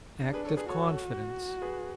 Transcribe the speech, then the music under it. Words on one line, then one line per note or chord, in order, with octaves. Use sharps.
Act of Confidence.
D4
G#4 B4
A4 C#5
G#4 B4
F#4 A4 C#5
G#4 B4